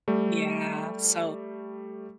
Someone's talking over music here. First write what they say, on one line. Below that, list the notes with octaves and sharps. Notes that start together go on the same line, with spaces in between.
Yeah, so
G3 A3